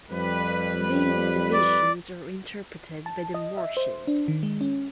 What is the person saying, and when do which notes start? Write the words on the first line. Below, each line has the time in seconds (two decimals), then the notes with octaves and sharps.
These visions are interpreted by the "murshid".
0.10 F2 G3 B4
1.54 D5
3.06 A5
3.34 D#5
3.57 E5
3.77 C5
4.07 D4
4.28 D#3
4.43 G#3
4.61 C#4